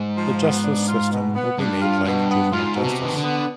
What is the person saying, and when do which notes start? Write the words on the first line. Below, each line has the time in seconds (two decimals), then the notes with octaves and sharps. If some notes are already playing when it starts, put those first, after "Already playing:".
The justice system will be made like juvenile justice.
Already playing: G#2
0.17 F3
0.40 B3
0.64 D4
0.88 F4
1.11 B2
1.35 B3
1.58 G2 D4
1.82 F4
2.05 G2 B2
2.29 B3
2.52 G#2 F4
2.76 B2
2.84 C3
3.00 B2 D#3
3.16 D3
3.23 B3